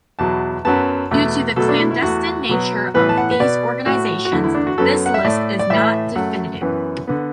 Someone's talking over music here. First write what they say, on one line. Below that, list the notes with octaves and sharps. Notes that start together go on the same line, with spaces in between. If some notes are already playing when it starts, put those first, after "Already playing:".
Due to the clandestine nature of these organisations, this list is not definitive.
E2 B2 F#3 A5
F#2 F#3 B3 A5
E2 B2 A3
B2 F#3 A3 A4
D4
E4
E4
E2 E3 A3 F#4
B2 F#3 B3
A2 E3 B3 B4
A5
F#5
B4
B2 B3 D5
A2 A3 F#4
F#4
E2 D3 A3 E4
E4
D4
F#4
F#2 F#3 B3 A4
F#5
E5
A2 A3 D5
D5
A2 E3 A3 E5
F#2 F#3 A3 F#5
F#2 E3 B3
D3 B3